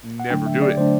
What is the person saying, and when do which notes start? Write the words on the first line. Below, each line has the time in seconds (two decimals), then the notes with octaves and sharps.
never do it.
0.20 F#5
0.30 D3 F#3 A3 D4 G5
0.46 E5
0.62 D5
0.77 D3 F#3 A3 D4 C5